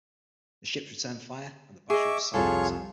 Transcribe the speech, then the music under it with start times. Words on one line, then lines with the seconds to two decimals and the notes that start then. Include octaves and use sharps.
The ships returned fire and the battery was silenced.
1.90 G#4 D#5 E5 C#6 D6
2.34 C2 F2 F4 G#4 A4 C#5